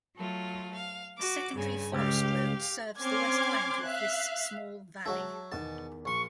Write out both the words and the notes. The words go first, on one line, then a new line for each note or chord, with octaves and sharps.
A secondary forest road serves the west bank of this small valley.
F#3 A3 F4
F5
F#4 D6
G2 C#3 G#5
C#2 G4 F5
C4 C#4 C6 D6 F6 G#6
E5 F5 F#6
F#3 G#3 F#4 C#5 E5 A5
E2 B2 D#3 A5
A#1 C6 C#6